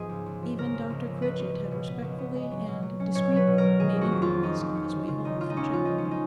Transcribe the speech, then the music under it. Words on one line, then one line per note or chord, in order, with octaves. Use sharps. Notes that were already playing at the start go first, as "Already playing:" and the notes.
Even Dr Critchett had respectfully and discreetly made inquiries on his way home from chapel.
Already playing: G#2 F3 B3 G#4
C#2
C#2
F3
C#3 A#4
F3
C#2
C#2
C#2 B4
C#2
C#2
B2
B3
C#2
B3
G#3
F#3
B2
F#3
C#4
B2 C#5
F#3 B4
B2
A#4
F#3
D#3 G#4
F2
F#4
F2
F4
A#3
C#4 D#4
F2
C#4
D#3
C#3 F4
D#2 D#4
G#3 F4
D#4
D#2 C#4
F3 F4
F3 D#4
C#4
G#3
D#4